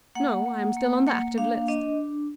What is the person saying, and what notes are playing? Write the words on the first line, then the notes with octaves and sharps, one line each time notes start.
"No, I am still on the active list."
A#3 F#5
A#3
A#3
A#3
D4 F5
D4 D#5